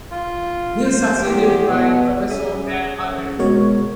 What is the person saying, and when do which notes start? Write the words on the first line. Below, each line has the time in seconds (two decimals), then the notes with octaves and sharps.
He is succeeded by Tommaso and Alberto.
0.11 F4
0.85 C5
1.19 E2 G4
1.68 B2 B3
2.30 C#4 G#4 E5 D#6
3.39 B2 G#3 F#4 A#4 C#5